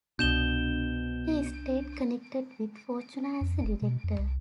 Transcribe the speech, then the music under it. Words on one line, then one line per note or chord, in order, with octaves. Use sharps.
He stayed connected with Fortuna as a director.
C2 B2 D4 G6 E7 G7
F2
F#1
B2
F2
C2